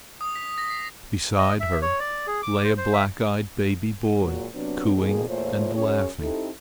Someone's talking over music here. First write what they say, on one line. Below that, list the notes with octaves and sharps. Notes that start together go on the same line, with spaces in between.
Beside her lay a black-eyed baby boy cooing and laughing.
D#6
B6
A#6
C7
D#5
E5
C#5
D5
G#4
D6
C5
C5
E5
A#2 F#3 G#3
C3 F#3 B3 C4 D4
F2 B2 D#3 A#3 G#4
E2 A#2 A3 F4 C5 C#5
F#2 C#4 G#4 C#5
C4 D#4 E4 G4 A4